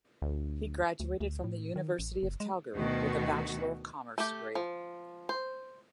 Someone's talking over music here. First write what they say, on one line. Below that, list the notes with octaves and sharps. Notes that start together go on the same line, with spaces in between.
He graduated from the University of Calgary with a Bachelor of Commerce degree.
D2
D2
D2
A2
D#3
A1
F#1
G#3
D2 B2 D#3 F#4
A3 G4
F3
C5